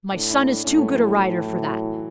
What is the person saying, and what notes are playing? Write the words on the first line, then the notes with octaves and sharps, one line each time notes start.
My son is too good a rider for that.
A2 D4
E4
D4
A2 C#4
A3
F#3
E3
A2 F#3
E3
F#3
F#3
F#3
E3
E3